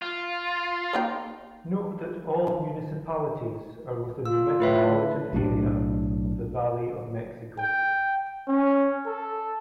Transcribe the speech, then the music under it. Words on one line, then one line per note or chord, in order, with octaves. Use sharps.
Note that "all" municipalities are within the Metropolitan Area of the Valley of Mexico.
F4
A#3 D#4 G5
F4 E6
A2 E4 B4 E5
B1 A2 D#3 D4
G5
C#4
A4